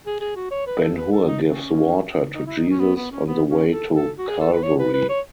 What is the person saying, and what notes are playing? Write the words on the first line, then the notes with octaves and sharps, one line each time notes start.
Ben-Hur gives water to Jesus on the way to Calvary.
G#4
G#4
F#4
C#5
B4
A4
B4
A4
D#4
C#4
D#4
E4
D#4
C#4
B3
B3
C#4
B3
C#4
A4
A4
F#4
G#4
A4
B4
C#5
B4
B4
C#5